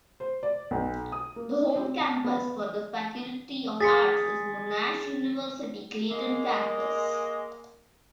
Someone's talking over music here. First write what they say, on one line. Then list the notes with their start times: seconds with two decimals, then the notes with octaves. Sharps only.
The home campus for the Faculty of Arts is Monash University Clayton Campus.
0.20 C5
0.43 D5
0.71 B1
1.12 D#6
1.36 A#3
1.76 C4
2.00 A5
2.24 B3
3.80 G#4 C6 A6 B6 C#7
6.11 G#3 A#3 D#5